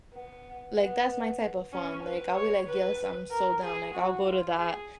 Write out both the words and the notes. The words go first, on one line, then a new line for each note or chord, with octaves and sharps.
Like that's my type of fun. Like, I'll be like, yes, I'm sold down. I'll go to that
B3
B3
C#4
B4
C#5
B4
A#4
G#4
F#4
F4
G#4